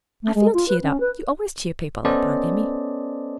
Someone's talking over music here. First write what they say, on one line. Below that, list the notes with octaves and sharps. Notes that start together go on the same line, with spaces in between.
I feel cheered up--you always cheer people up, Aunt Emmy.
A3
G#3
F4
B4
C#4
B4
B3 C#4 A4 C5 D5 D#5